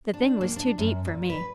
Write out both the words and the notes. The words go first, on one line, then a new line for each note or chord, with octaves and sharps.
The thing was too deep for me.
D4
A#3
D4
F#2
A#2
B4